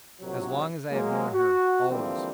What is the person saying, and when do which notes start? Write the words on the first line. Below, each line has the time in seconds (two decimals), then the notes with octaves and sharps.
"As long as I have known her--always."
0.21 A#1 C3 F#3
0.91 F#3 G#3 A#3
1.33 F#4
1.89 D3 E3 F3 G3 A#3 C4